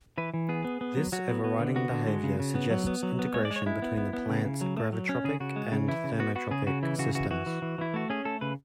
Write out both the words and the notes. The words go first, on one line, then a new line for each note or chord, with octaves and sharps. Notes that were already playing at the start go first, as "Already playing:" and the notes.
This overriding behavior suggests integration between the plants' gravitropic and thermotropic systems.
E3 B4
E3
B3 G#4
B3
B3
F#3
F#3 F#4
B3
B3
D3
B3 F#4
D3
G#3
C#3
C#3
B3
F#3
B3
F#3
B3
G#3 C#5
D5
G#3
C#5
G#3 E4
B3
B3
B3
C#3
C#3
F#3
A3
F#3
C#4
C#3 G#4
C#3 F#4
G#3
C#3
E3 E4
C#3
B3 F#4
B3 F#4
C#3 G#4
C#3 F#4
E3 E4
C#3 F#4
E3 F#4
E3 F#4
E3
E3
E3 E4
A3 F#4
C#4 G#4
A3 A4
C#3 B4